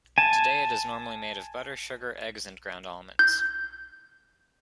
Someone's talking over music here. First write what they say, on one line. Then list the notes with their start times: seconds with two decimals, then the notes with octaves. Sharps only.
Today it is normally made of butter, sugar, eggs, and ground almonds.
0.18 G#5 A5
3.19 G6